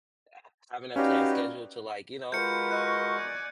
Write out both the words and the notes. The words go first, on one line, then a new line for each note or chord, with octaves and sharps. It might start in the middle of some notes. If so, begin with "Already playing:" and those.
Ha having a planned schedule to, like, you know,
C#4 D#4 F#4 G4 B4 D5 F5
G#3 F4 F#4 A#4 B4 G6 C#7
D#5 C#6 F#6
D5 G#5